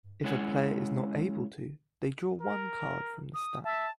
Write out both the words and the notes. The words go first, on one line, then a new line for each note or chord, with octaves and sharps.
If a player is not able to, they draw one card from the stack.
G#3 C#4 E4 C#5 F#5 G#5
A#4
D#6
E5 A5